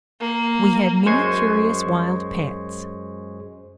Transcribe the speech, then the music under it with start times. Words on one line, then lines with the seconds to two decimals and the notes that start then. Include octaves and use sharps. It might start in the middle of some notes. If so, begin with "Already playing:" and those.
We had many curious wild pets.
0.20 A#3
1.06 F#2 G#3 C5 C#6 G#6 C7